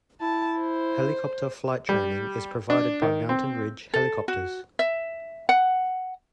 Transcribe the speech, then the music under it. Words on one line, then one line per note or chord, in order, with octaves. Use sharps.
Helicopter flight training is provided by Mountain Ridge Helicopters.
E4 A5
C5
G3
D4
D#3
C4
A4
F#4
E5
F#5